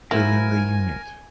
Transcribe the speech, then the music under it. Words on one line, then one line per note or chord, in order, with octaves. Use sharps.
Within the unit.
F#3 A#3 E4 A#4 C5 G#5